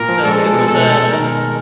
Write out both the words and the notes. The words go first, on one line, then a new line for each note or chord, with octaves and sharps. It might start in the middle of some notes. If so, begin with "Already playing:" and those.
So it was a
Already playing: A#2 A#4
F3
G#3 A4
G#3
B2
B2 A4
G#3
B2
D#3 A#4
G#3